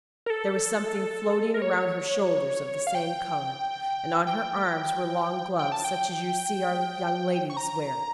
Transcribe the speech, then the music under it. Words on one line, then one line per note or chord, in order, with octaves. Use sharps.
There was something floating round her shoulders of the same colour, and on her arms were long gloves such as you see our young ladies wear.
A#4
A4
A#4
C#5
F5
G5
G5
G5
A5
G5
C#6
A#5